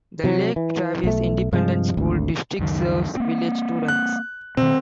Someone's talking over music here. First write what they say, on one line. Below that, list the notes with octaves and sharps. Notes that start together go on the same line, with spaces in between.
The Lake Travis Independent School District serves village students.
C3 F#3
E3
B1 A3
G2 C3 F3 G#3
G#1 D2
C#2 F#2 D#3
A#3 C4
F#6
B2 D#3 C4